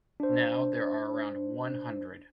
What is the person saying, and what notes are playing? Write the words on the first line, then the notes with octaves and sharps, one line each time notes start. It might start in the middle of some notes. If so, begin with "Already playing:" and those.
Now there are around one hundred.
D4 C5